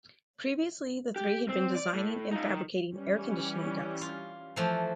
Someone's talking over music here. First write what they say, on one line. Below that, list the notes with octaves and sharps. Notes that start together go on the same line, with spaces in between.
Previously the three had been designing and fabricating air conditioning ducts.
G4
C4
D5
A2
D#4 F4
D#3
E3 G3 C#4
F4
E3 F3 A3